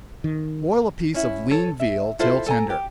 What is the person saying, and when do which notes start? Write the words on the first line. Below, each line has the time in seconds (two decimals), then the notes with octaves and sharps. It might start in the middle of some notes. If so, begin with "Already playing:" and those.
Boil a piece of lean veal till tender.
0.24 D#3
1.14 C#4 E4
1.51 A4 C#5
1.79 E5
2.19 E4 F4 A4 C5
2.46 A4 G#5 A#5
2.70 G4